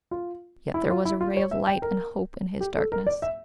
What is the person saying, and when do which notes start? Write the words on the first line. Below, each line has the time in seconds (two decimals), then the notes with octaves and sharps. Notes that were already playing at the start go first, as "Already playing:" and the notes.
Yet there was a ray of light and hope in his darkness.
0.11 F4
0.74 E4
0.90 F4
1.05 E4
1.21 F4
1.37 C#5
1.51 E5
1.67 G5
1.82 A#4
2.61 G4
2.76 A4
2.92 A#4
3.07 D5
3.22 E5